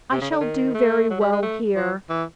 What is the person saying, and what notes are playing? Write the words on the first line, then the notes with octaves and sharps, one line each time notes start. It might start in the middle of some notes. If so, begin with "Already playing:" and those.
I shall do very well here.
C3
C#3
D3
D#3
A3
F#3
G3
G#3
A3
F3
E3